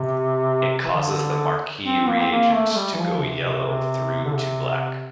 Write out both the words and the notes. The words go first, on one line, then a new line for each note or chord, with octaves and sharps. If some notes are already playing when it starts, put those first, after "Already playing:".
It causes the marquis reagent to go yellow through to black.
Already playing: C3
E3
D3
C4
A#3
C4
A#3
A3
A3
G3
E3
F3
D3
C3
C3
C3
D3
C3